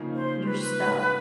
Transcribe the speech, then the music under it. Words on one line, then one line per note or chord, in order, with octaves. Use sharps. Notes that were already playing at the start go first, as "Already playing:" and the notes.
you're stuck.
Already playing: C#3 F3 A#3 D#4 G#4
C5
B4